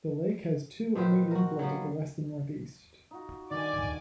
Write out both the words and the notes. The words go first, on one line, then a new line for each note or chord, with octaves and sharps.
The lake has two unnamed inflows at the west and northeast.
A#2 D#3 B4 C5
F#4 A#4
F#3 G3 A#3 B3
D#4 F4 F#4
D3 D#3 G3 D5 G#5 D6